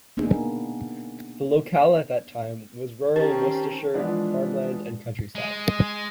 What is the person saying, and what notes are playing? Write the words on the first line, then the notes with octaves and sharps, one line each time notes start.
The locale at that time was rural Worcestershire farmland and countryside.
A#3 B3 D4 D#4 G#4
D#3 C4 C#4 G4 A5
E3 F3 G#3 B3 D4
G#3